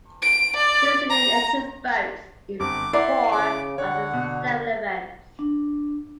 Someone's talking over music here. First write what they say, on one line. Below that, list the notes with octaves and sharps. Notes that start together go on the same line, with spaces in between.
New Zealand entered boats in four of the seven events.
D7
D5
A#5
G1 C4 D6
E4 D5 F#5 A#5 C6
C#3 D6
D3 C#5 F#5
B2
D4